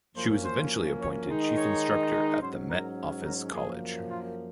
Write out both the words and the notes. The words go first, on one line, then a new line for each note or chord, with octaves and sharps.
She was eventually appointed chief instructor at the Met Office college.
F#2 F3 A#3 C#4 C5
C5
C#5
D#3 G#3 D#4
C#5
G#2 F#3 C#4 C5
A#4
A#4
F#2 F3 A#3 G#4
F4